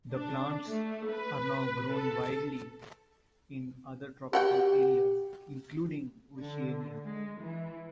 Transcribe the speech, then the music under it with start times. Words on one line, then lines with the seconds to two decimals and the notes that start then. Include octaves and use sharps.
The plants are now grown widely in other tropical areas, including Oceania.
0.12 D4
0.68 A3
1.09 B4
1.91 A4
4.33 F#4 G4 F#5 G5
6.39 D3
7.05 G#3
7.41 E3